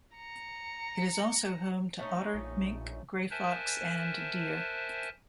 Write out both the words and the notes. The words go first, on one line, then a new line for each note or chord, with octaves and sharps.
It is also home to otter, mink, grey fox and deer.
A#5 C#7
A3 C#4 D#4
A#1
A#4 C5 E5 G#5 A5 F#6